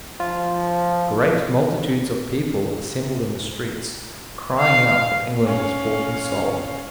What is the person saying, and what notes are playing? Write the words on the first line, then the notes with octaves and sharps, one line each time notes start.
Great multitudes of people assembled in the streets crying out that England was bought and sold.
F3 F4
F5
C#4 F5